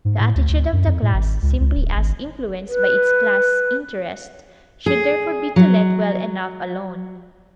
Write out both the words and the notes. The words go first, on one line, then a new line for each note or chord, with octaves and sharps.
The attitude of the class, simply as influenced by its class interest, should therefore be to let well-enough alone.
G#2
A2
D2
D2
F#2
F2
A2
G#1
C#2
C#2
D1
G#1
B4
G#4
F#3